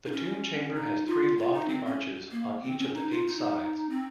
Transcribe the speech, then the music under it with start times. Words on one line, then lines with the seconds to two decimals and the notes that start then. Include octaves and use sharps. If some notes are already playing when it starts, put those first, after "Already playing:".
The tomb chamber has three lofty arches on each of the eight sides.
0.06 D#4
0.12 C#4
0.74 D#4
1.06 F4
1.38 F4
1.53 D#4
1.69 C4
1.85 C#4
2.31 A#3
2.63 C4
2.79 C#4
2.94 D#4
3.10 F4
3.26 D#4
3.90 C4